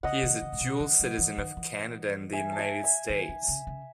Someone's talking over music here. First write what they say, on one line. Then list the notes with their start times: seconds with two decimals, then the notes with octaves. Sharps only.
He is a dual citizen of Canada and the United States.
0.03 C#3 D#5 F#5
0.23 D#3
0.42 C#3
0.53 A2
0.61 B2
0.80 E3
1.00 F#3
1.18 E3
1.38 D#3
1.57 E3
2.33 E5 G#5
2.52 A5
2.59 E5 G#5
2.84 E5 G#5
3.09 D#3
3.29 D#3
3.48 C#3
3.67 C#3